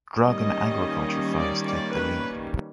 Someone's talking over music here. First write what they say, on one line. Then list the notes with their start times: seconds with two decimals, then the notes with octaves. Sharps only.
Drug and agriculture firms take the lead.
0.23 D#3 G3 A#3 C#4 D#5
1.37 D5
1.64 D5
1.92 B4